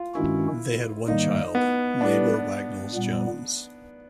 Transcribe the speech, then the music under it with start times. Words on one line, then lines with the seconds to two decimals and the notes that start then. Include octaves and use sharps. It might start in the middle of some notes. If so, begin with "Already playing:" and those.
They had one child, Mabel Wagnalls Jones.
Already playing: F4
0.15 G2 D#3 G#3 C#4 E4 F#4
1.08 G#2 D#3 G3 A#3 D#4
1.55 B3
2.00 G3 B3 D4 E4 G4 B4
2.94 A#2 G3 B3